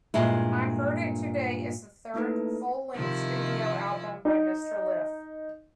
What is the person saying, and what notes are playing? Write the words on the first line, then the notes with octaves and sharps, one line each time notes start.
"I Heard It Today" is the third full-length studio album by Mr. Lif.
G2 A#2 G#3 E4
A3 A#3 D#4 E4 A4 B4
C3 D#3 F3 E4
D#4